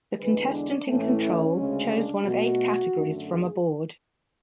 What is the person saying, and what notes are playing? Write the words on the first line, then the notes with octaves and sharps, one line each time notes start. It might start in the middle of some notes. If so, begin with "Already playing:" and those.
The contestant in control chose one of eight categories from a board.
E2 D3 G#3 B4
D4
A2 E3 A3 C#4
C#4
D2 C#3 G#3
D4
B2 A3 F#4
F#2 D3 A3
G#4